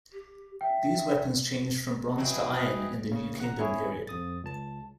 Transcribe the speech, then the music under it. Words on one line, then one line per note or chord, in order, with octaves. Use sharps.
These weapons changed from bronze to iron in the New Kingdom period.
G4
E5 G5
F#3 E4 G#4 B4 D#5 G5
C#3
F#5 A#5
G#1 C#4 E4 G#4 C#5
F2 D#6 A6
C#2 A5